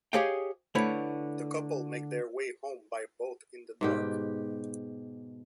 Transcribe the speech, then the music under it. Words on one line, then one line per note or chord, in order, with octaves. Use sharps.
The couple make their way home by boat in the dark.
G4 G#4 C#5 D#5 F5 G5
D3 A3 E4 B4 C#5
G#2 B2 G4